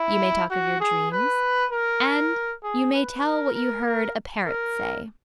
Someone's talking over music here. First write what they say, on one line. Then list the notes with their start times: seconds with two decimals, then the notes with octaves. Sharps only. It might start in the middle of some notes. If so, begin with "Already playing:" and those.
You may talk of your dreams; and you may tell what you heard a parrot say.
Already playing: E4
0.50 F#4
0.81 G#4
1.12 B4
1.72 A#4
2.64 G#4
2.94 B4
3.25 A#4
3.54 A#4
3.85 A#4
4.46 A#4